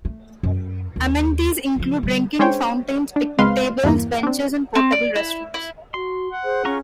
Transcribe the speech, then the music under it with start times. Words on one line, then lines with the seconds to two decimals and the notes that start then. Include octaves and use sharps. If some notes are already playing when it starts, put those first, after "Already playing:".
Amenities include drinking fountains, picnic tables, benches, and portable restrooms.
0.05 A3
0.43 F#2
0.96 D#2
1.76 C#3 F3
2.03 D3 G3
2.39 G#3 C#4 D4 C5 C#5 G5
3.16 D4
3.39 C#2 G#3 C4 B4 F5 C6
3.84 E2 G2 E3 A#3
4.23 C4 D4
4.75 C4
4.92 D5
5.16 E4
5.54 E4
5.94 F#4 C6
6.31 F#5
6.44 G#4 C5
6.65 C#4 F4 A#5 C#6